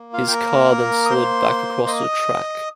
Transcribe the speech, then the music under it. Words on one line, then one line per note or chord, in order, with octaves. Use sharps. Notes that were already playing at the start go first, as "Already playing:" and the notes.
His car then slid back across the track.
Already playing: A#3
F4 F5
G5
A#4 A#5
D#6
C5 C6
D#5 D#6